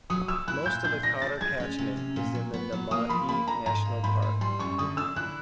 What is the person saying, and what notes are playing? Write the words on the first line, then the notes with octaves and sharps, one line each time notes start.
Most of the Cotter catchment is in the Namadgi National Park.
F#3 D#6
F#3 E6
E4 F#6
A#2 G6
D4 G6
D4 A#6
D4 A6
G#3 G#6
C#4
C3
C#4
A#2
F#3
B3
F#3
A#3 D#6
F3 B5
A#3 B5
D3 A#5
G#2 A#5
A#3
G#2 B5
E3
G3 C6
F#2 C#6
D3 D#6
D3 E6
E4 F#6